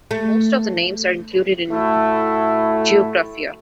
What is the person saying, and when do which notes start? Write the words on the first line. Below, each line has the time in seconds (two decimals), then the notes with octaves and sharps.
Most of the names are included in "Geographia".
0.11 A3
1.71 A2 A3 E4 F#4